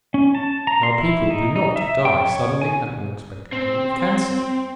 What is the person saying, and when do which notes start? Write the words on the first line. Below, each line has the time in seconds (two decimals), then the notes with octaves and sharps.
Now people do not die suddenly and unexpectedly of cancer.
0.14 C#4
0.35 A5
0.67 A#5
0.83 C6
0.98 E4
1.30 D#4
1.56 D#4
1.76 E5
2.05 G5
2.26 C#5
2.62 G#5
3.52 C4